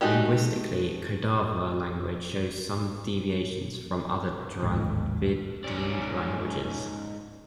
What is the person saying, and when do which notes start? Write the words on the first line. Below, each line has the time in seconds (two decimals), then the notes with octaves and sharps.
Linguistically, Kodava language shows some deviations from other Dravidian languages.
0.01 G#3 A3 D#4 F#4 G4
4.63 A1 D#2 G#2
5.64 G#2 C#4 D5